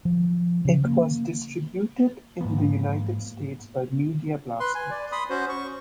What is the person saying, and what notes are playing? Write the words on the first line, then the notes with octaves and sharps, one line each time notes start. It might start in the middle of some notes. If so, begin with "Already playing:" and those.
It was distributed in the United States by Media Blasters.
F3
C#3
A#3
G#2 F3 A#3 B3
B4 C6
G#5
D5
B5 C6 D#6
C#4 F#4 C5
C#6